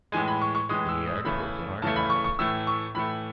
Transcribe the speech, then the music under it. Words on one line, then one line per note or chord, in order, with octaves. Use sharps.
The articles in Organise!
A2 E3 G#3 G#5
B5
C#6
C#6
A2 E3 G#3 D#6
E6
D#6
C#3 E3 A3 B5
C#3 E3 A3 A5
B5
C#6
C#6
A2 E3 A3 E6
C#6
A2 E3 A3 B5